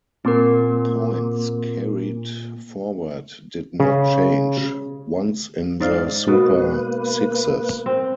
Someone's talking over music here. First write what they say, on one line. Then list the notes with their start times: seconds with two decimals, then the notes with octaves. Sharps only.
Points carried forward did not change once in the Super Sixes.
0.25 A#2 C4 A#4
3.80 C#3
5.80 G#2 D5 F5
6.28 B2 A#3 B4
7.86 C4